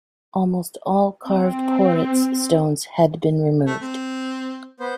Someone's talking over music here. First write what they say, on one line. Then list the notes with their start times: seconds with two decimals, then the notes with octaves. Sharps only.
Almost all carved porites stones had been removed.
1.27 C4
3.66 A3
3.81 C4
4.80 B3 C5